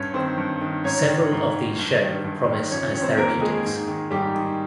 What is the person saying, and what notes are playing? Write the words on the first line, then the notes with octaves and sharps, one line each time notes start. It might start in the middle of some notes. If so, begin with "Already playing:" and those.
Several of these show promise as therapeutics.
Already playing: G2 C#4 C#5
D#3 C4 C5
G2
D#3
G#2 C#4 C#5
D#3
G#2
D#3
G2
D#3
G2
D#3
F2 C#4 C#5
C#4 C#5
D#3
C4 C5
F2 A#3 A#4
D#3 G#3 G#4
G#2
D#3
G#2 G3 G4
D#3